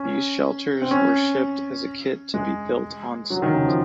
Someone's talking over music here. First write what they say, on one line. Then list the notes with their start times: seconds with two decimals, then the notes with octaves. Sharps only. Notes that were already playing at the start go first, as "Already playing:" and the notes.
These shelters were shipped as a kit to be built on site.
Already playing: C#4
0.82 C4
0.91 C#4
2.34 G#3
3.30 F#3
3.42 D#3
3.53 C#3
3.65 F3